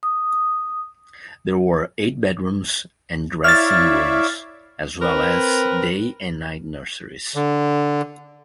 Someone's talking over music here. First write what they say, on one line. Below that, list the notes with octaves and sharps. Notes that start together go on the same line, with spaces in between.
There were eight bedrooms and dressing rooms as well as day and night nurseries.
D#6
E4 C#5 D5 E5 F5 F6 A6
C4 A#4 B4
D3